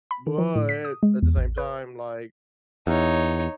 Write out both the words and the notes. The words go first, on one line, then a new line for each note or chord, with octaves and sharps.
But at the same time, like
B5
D#3
F3
A2
B6
D#6
G#3
E2
A1
B4
E2 D#4 C#5